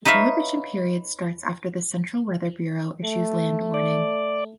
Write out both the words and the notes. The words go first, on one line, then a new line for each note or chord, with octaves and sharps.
The prohibition period starts after the Central Weather Bureau issues land warning.
D#4 B4 C#5 E5 F5
A3
D5